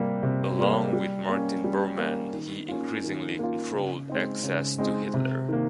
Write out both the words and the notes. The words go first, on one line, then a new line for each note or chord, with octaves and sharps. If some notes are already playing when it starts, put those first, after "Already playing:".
Along with Martin Bormann, he increasingly controlled access to Hitler.
Already playing: C3 G3 A#3
C3
G3 A#3
G3
A#3 C#4
G3
A#3 C#4
D#3
A#3 C#4 F4
D#3
A#3 C#4 F4
C#3
G#3 C4 D#4
C#3
G#3 C4 D#4
C3
D#3 A#3